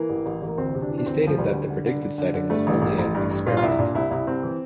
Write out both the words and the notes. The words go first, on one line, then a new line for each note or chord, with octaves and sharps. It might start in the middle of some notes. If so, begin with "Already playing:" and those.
He stated that the predicted sighting was only an "experiment".
Already playing: E3 A#3
A1
A1
A1
A#3
D2 C4
C3
D4
E3
D4
D2 C4
D2 F3
D2 G3
D3
D3
D3
D3
D3
D3
G2 A3
A1
A1
A1
G2
G2
A#2 F4
F4
C2 E4
A#2 D4
C2 E4
C2 E4
C2 C4
E3